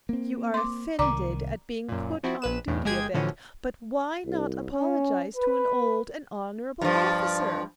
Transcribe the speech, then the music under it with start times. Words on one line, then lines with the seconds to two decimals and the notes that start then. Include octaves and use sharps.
You are offended at being put on duty a bit, but why not apologize to an old and honorable officer?
0.09 A#3 C4
0.54 C6 D6
0.99 C2 D#3 D5 A#5 D6
1.89 F#2 A#2
2.23 F3 C4 E4 F#4
2.42 A#1 B4 E7
2.67 B1 E2 A2
2.85 G1 G#3 G4 G#4 G5 G#6
3.14 A2 D3 E3 F3 C#4 F#4
4.25 C2
4.72 C#4
5.36 B4
6.81 G2 F3